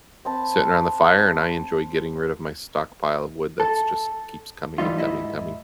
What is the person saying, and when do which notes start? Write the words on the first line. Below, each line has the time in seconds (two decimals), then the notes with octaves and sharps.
sitting around the fire and I enjoy getting rid of my stockpile of wood that s just keeps coming and coming coming
0.25 C4 A5 B5
3.60 A4
4.78 G#2 E3 G3 D#4 F4
4.98 G#2 E4 D#5